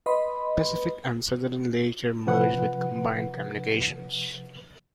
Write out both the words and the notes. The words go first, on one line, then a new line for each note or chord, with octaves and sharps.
Pacific and Southern later merged with Combined Communications.
B4 D#5 B5 C6
C3 F3 B4 F#5